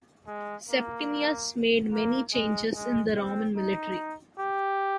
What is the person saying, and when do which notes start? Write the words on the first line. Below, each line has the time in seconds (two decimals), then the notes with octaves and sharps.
Septimius made many changes in the Roman military.
0.27 G#3
0.70 A#3
1.93 A#3
2.34 G#3
2.75 G#3
3.16 C4
3.57 D#4
4.40 G4